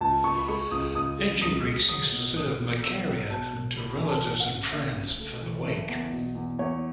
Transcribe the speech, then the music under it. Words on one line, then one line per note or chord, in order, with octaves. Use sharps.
Ancient Greeks used to serve "Makaria" to relatives and friends for the wake.
C#2 A5
C#2 C#6
B5
G#3 C#6
C#2 D#6
C#2 D#6
G#3
C#2 D#6
G#3
F#3 D#6
B2
E1 D#6
E2
B2 E6
F#3
B2 A5
E1
D#2 B5
E3 G#5
A5
D#2
F#5
C#3
D#2 E5
C#3
A3
E3
F#1
E2
B2
E2
E2 C#5